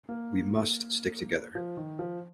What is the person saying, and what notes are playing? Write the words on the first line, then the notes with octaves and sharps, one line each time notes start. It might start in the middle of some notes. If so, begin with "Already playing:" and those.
We must stick together.
A#3
F3
D#3
F3